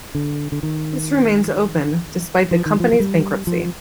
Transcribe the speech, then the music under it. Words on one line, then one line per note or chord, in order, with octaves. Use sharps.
This remains open, despite the company's bankruptcy.
D3
D3
D#3
F3
D#3
F3
F3
G3
F3